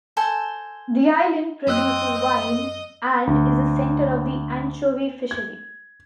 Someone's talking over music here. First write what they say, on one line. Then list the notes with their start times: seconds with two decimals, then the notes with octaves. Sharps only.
The island produces wine, and is a centre of the anchovy fishery.
0.17 A4 C5 G#5
1.67 F#2 C4 D#5 E6 F#6
3.27 D2
5.31 G#6